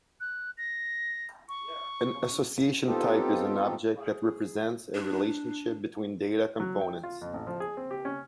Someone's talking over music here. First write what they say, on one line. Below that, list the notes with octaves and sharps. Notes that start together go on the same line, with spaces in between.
An association type is an object that represents a relationship between data components.
F#6
A#6
C#6
B3 C4 D#4 F4 G4 A4
G#4
D4
F#3
G5
F4
F2
A1
F3
G#4
C4
G4
C#4